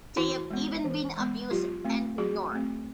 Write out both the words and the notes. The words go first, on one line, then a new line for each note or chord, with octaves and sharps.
They've even been abused and ignored.
E3 E4 F#4
G#3 B3
E3
G#3 B3
F#3 F4 G4
A3 C4
F#3 F#4 G#4
A3 C4